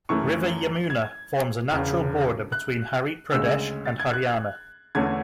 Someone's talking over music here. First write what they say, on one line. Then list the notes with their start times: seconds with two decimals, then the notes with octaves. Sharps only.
River Yamuna forms a natural border between Harit Pradesh and Haryana.
0.09 F#2 E3 A3 C#4 C#6
0.90 G#6
1.71 E1 E2 C#3
2.52 F#6
3.32 D2 C#3 G#3 E6
3.86 A6
4.00 G#6
4.13 F#6
4.95 E2 D3 A3 C#4 G#6